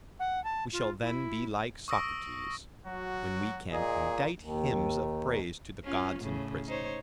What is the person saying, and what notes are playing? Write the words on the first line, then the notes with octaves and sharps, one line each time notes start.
We shall then be like Socrates, when we can indite hymns of praise to the Gods in prison.
F#5
A5
F4
E4
C#6 D#6 E6 A#6 D7
F#3 F#4
A#2 G#4 D#5
D#2
C#4 F4
A2 C#3
D#4 C5 C#5